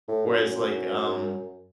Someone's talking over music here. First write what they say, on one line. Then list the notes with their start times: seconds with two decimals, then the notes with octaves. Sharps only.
Whereas, like, um,
0.08 A2
0.26 F#2